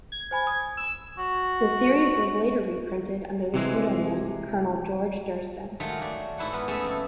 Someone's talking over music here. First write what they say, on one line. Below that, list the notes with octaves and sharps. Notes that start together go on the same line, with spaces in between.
The series was later reprinted under the pseudonym Colonel George Durston.
G#6
C5 G#5 B5
D#6
E6
F#4
C3 E3 G#3
D#3 F#3 G#3 A3 F4
A3 F#4 D5
G#2 E4 B4 F#5
B3 A#4 B4
A3 C#4 G#4 E5
F2 A4